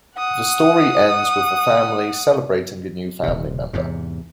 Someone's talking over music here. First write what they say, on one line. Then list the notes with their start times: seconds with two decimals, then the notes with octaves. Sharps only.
The story ends with the family celebrating a new family member.
0.16 F#5 D#6
3.23 D#1 C3
3.73 E2 G#2 C3